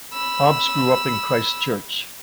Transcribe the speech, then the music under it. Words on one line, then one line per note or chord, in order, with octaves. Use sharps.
Hobbs grew up in Christchurch.
B5 E6